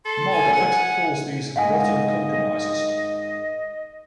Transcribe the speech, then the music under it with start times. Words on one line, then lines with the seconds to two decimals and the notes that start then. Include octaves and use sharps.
Margalit calls these rotten compromises.
0.05 A4 C6
0.32 G#5
0.53 F#5
1.56 G#2 D#3 G#3 D#5 F5 F#5 G#5